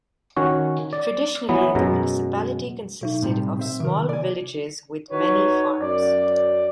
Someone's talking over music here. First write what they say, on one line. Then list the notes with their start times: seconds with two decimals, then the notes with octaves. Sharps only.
Traditionally the municipality consisted of small villages with many farms.
0.36 D#3 C#4 F#4 C#5
0.93 D5
1.49 E3 F#3 B3
1.75 F#2 B2 G#3 A#5
3.01 B2 F#3 D#4
3.22 A2 C3 G3
3.59 C4 E5
3.80 C3 D#3 A#4
4.09 D5 G#5
5.10 D#4 F#4 B4 C#5
5.81 F#2 D5